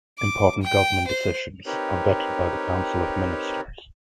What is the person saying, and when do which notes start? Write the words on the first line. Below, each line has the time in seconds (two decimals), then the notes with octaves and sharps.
Important government decisions are vetted by the Council of Ministers.
0.18 D6
0.62 G5
1.07 C5
1.66 C4 D#4 G4 A#4 B4 C#5